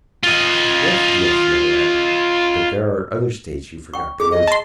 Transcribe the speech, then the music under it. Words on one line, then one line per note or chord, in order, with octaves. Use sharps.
"Yes, yes, my lad; but there are other states you forgot to mention."
F4 D#5
G5 C#6
G#4 D6
D#5
A5 C6